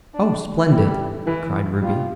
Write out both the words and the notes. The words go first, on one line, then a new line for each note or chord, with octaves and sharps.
"Oh, splendid," cried Ruby.
D4
G3 E4
A3
G3
E3 E4
G3 F4